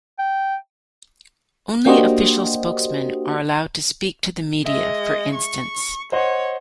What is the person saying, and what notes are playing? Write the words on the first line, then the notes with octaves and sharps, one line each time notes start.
Only official spokesmen are allowed to speak to the media, for instance.
G5
A#3 D4 F#4 G4 C5 D#5
G#3 D#5 E5
C#6
C5 C#5 D#5 F#5